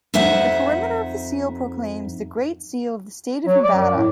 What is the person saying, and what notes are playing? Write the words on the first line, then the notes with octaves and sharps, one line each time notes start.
The perimeter of the seal proclaims "The Great Seal of the State of Nevada".
F2 D#4 C5 E5 F#5
F#3
D5
F#2
A2